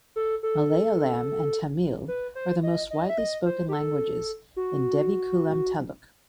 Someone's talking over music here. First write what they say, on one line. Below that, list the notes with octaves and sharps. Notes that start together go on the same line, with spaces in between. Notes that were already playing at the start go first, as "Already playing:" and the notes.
Malayalam and Tamil are the most widely spoken languages in Devikulam taluk.
A4
A4
B4
C5
D#5
D#5
E5
D#5
C5
G4
A4
F#4